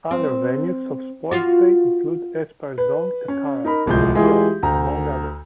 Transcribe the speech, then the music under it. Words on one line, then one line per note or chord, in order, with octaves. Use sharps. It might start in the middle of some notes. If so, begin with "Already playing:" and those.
Other venues of sports day include Aspire Zone, Katara, The Pearl, among others.
C4
F4 F#4
B4
C#4
D#4 A#4 B5
D1 C2 F3 G#3 G6
E3 G#3 E4 F4 G4 G#4
D2 A#5